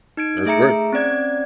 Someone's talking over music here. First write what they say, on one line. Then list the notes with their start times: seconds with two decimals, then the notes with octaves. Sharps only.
that's great.
0.17 D#4 G#6 D7
0.46 A3 G#4 E5 A#5 C#7
0.93 C4 C#4 D5 G#6